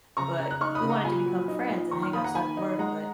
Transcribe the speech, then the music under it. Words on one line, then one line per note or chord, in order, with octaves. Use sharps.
but we wanted to become friends and hang outside of work, but
C#3 A#5 C#6
C#3
F#6
D#4 C#6 F6
B5 D#6
C#3
F#5 A#5
A#2 G#5 B5
F#3
D#4
A#2
D#3 A#5 C#6
C#6 F6
A#3 B5 D#6
F#5 A#5
D#3 G#5 B5
D#4
G#3 F#5 A#5